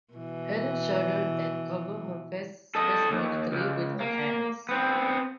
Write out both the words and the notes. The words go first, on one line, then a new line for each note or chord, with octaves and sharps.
Helene shuddered and covered her face spasmodically with her hands.
B2 E3
A4 D#5
D#2
C#2
A#3
B3 C4